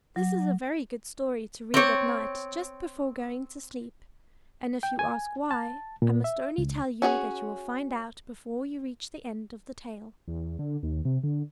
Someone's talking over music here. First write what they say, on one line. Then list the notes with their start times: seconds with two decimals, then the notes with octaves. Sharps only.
This is a very good story to read at night just before going to sleep. And if you ask why, I must only tell you that you will find out before you reach the end of the tale.
0.16 F#3
1.74 C4 C#5
4.83 G5
4.99 G#5
5.51 A5
6.02 A#2
6.24 E5
6.58 C#2
7.02 C#4 F#4 G#4 C#5
10.28 E2
10.59 D3
10.83 D#2
11.05 C3
11.23 D3